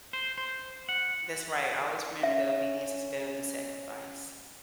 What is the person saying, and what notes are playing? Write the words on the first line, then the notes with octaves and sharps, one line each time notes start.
That's right, always remember that obedience is better than sacrifice.
C5
C5
F#5
C#4 E5